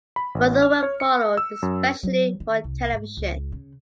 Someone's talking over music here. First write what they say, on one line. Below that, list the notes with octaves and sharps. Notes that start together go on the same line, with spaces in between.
Further work followed, especially for television.
B5
A1
F6
C#5
C#7
E6
F#2
F#3
D#3
C2
G#2
C#2
C#3